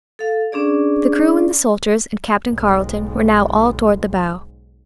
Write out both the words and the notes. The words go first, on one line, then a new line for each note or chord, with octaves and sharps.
The crew and the soldiers and Captain Carleton were now all toward the bow.
A4 F5
C#4 D4 G#4 D5
B1 G#2